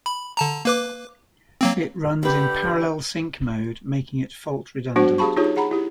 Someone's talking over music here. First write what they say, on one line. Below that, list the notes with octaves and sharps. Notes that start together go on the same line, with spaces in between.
It runs in parallel sync mode making it fault redundant.
B5
D3 A5 A#5
A#3 B4 D6
F#3 A#3 C4
D3 G4 B4
F#3 B3 D4 F#4 C5 F#5
G4 G#4 F5 A5 B5 C#6
D#4 F4 G4 G#4 C#5
G#4 F#5 A#5 B5
E4 G4